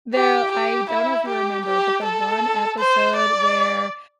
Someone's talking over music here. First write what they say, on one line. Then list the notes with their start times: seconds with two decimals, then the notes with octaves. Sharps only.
there I don't know if you remember, but the one episode where
0.14 G4
0.51 G4
0.90 E4
1.28 G4
1.66 G4
2.03 A4
2.79 C5
3.16 D5